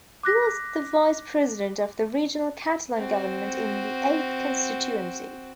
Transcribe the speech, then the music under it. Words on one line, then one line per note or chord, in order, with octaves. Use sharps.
He was the Vice President of the Regional Catalan Government in the eighth constituency.
D6 F#6 A#6 B6
C4 F#4